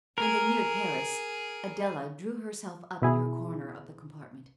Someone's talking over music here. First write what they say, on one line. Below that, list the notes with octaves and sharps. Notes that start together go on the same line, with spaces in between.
When they neared Paris, Adela drew herself up in her corner of the compartment.
G#4 A#4
B2 E4 G#4